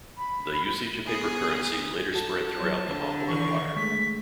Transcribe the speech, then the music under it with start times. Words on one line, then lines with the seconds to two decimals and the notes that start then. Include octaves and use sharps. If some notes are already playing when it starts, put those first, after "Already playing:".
The usage of paper currency later spread throughout the Mongol Empire.
0.17 B5
1.06 B3 G#4 D#6
2.14 F#4 A4 A5
2.57 F#3 C5 C#5
2.86 D3
3.28 D#3 E3 B4 C#6
3.76 G#3 A3 B6